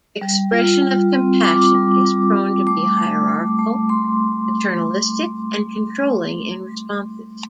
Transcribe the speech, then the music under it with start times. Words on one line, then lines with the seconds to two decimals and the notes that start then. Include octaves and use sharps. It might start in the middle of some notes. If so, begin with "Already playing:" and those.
Expression of compassion is prone to be hierarchical, paternalistic and controlling in responses.
0.21 G3
0.52 F4
0.82 G3
1.13 C4
1.44 F4 D6
1.74 G3
2.05 G3
2.36 G3
2.67 A3 D6
2.98 A3
3.28 A3
3.59 A3
3.89 A3 C6